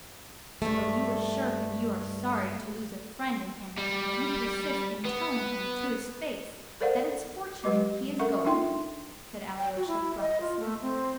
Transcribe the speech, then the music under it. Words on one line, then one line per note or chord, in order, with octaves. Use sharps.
"Though you assure him you are sorry to lose a friend in him, you persist in telling him to his face that it's fortunate he is going," said Alyosha breathlessly.
G2 A3
G3
B3
A4 A#4 C5 D5 F5 F#5
F#3 G#3 G4 B4 D#5 D6
C#4 A4 A#4 E5 F#5 C#6
D4 D#4 F4 E5 G5 C6
G5
F#4
E4
D#5
F4
A3
C4